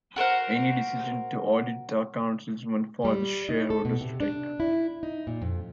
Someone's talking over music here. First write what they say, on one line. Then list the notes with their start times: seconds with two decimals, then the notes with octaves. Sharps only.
Any decision to audit the accounts is one for the shareholders to take.
0.16 F#4 A#4 C5 F#5
3.05 G3
3.49 D#4
3.70 A4
3.85 B2
4.01 C3
4.20 D4
4.60 E4
5.03 D#4
5.27 A#2
5.42 F2